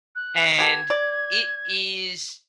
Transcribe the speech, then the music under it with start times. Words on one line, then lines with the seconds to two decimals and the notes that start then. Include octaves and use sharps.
and it is
0.16 F#6
0.59 B3 G4 A4 G#6
0.90 D5